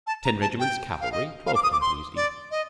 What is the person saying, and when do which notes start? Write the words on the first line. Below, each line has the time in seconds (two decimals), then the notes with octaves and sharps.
Ten regiments cavalry, twelve companies each.
0.07 A5
0.25 A#5
0.42 A5
0.60 G5
1.01 F5
1.12 D#5
1.47 F5
1.55 D6
1.63 D#6
1.72 D6
1.81 C6
2.16 D5
2.51 D#5